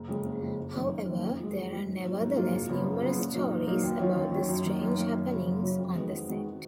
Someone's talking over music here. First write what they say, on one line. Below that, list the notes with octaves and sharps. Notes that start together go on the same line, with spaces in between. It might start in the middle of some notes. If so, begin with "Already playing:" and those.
However, there are nevertheless numerous stories about the strange happenings on the set.
Already playing: F#1
F2 C#3 G#3
F#1
F2 C#3 G#3
F#1
F#2 D#3 A#3
F#1
F#2 D#3 A#3
F2
F3 G#3
F2
F3 G#3
G#2
F#3 A#3 F4
G#2
F#3 A#3 F4
F#1
F#2 C#3 F3 B3
F#1
F#2 C#3 F3 B3
A#2
F#3 A#3 D#4
A#2
F#3 A#3 D#4
D#2
D#3 F#3 C#4 F4
D#2
D#3 F#3 C#4 F4
F#2
D#3 A#3
F#2
D#3 A#3
F#2
C#3 F#3 C#4
F#2
C#3 F#3 C#4
F2
D#3 G#3 B3 F#4
F2
D#3 G#3 B3 F#4